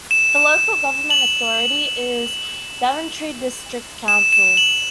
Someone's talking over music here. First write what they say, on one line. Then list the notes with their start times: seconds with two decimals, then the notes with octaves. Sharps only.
The local government authority is Daventry District Council.
0.11 E7
0.36 E7
1.10 F#7
4.08 E7
4.33 E7
4.57 F#7